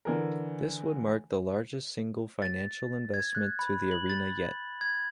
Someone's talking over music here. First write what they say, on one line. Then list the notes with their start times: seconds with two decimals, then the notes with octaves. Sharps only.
This would mark the largest single financial investment to the arena yet.
0.05 D3 E3 A#4
2.42 A6
3.14 G#6
3.35 F#6
3.59 B5
3.91 F#7
4.10 A6
4.81 G#6